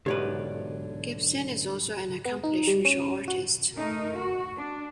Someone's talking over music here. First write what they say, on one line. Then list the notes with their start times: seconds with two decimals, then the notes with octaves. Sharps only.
Gibson is also an accomplished visual artist.
0.06 B1 G#2 D3 G4 B4 C#5 D5
2.25 B3
2.44 D#4
2.67 G3
2.85 C#4
3.28 F#4
3.75 A3 D#4 A#4
4.18 F#4
4.57 D4